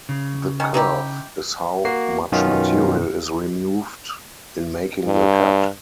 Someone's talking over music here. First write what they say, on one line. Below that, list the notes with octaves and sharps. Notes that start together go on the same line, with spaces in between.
The kerf is how much material is removed in making the cut.
C#3
D#3 C#4
D#4 E4 G4
A#3 F#4 C7
F#2 B2 D#3 B3 C#4 F4
G2